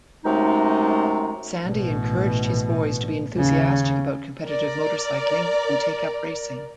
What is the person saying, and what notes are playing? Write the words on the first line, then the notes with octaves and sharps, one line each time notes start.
Sandy encouraged his boys to be enthusiastic about competitive motorcycling and take up racing.
F#2 C3 G#3 A3 D#4
A1 B2
D#2 C#3
A#4 D5